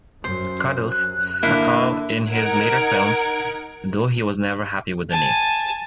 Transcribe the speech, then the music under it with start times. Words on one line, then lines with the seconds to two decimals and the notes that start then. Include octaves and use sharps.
"Cuddles" Sakall in his later films, though he was never happy with the name.
0.24 F#2 C5
0.90 F#6
1.43 D3 A#3 E4 E5
2.30 D#4 A#4 F#5 G#6 D7
5.11 G#5 A5